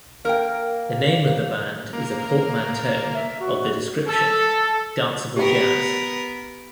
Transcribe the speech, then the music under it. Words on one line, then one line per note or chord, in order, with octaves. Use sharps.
The name of the band is a portmanteau of the description "danceable jazz".
A#3 A#4 G5
A#3
E5
F#4
A4
B3 G4 A#4 G5